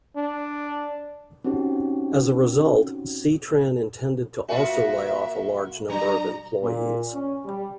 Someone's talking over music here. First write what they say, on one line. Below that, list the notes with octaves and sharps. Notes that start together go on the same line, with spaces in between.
As a result, C-Tran intended to also lay off a large number of employees.
D4
C4 C#4 D#4 F#4 G4
A#3 F4 F#4 E5
F#3 D4 A#5
A#2
C#4
G3